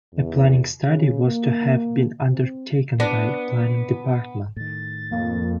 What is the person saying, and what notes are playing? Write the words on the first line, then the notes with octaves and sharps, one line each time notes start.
A planning study was to have been undertaken by the Planning Department.
E2
C#3
A#3
C4
B3 D4
A2 D#3 A6
F2 A#3